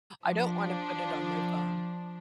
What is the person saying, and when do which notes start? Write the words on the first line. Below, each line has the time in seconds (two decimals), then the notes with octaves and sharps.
"I don't want to put it on my phone."
0.24 F3 D4